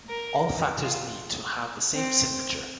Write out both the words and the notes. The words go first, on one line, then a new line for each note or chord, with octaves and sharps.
All factors need to have the same signature.
A#4
F4
C4